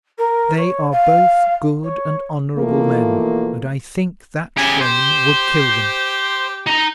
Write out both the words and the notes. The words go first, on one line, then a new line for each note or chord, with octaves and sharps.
They are both good and honourable men, and I think that shame would kill them.
A#4
C#5
F5
C#5
B2 E3 F3 A3 A#3
C#3 G4 G#5
G4 C5
D#4 A#5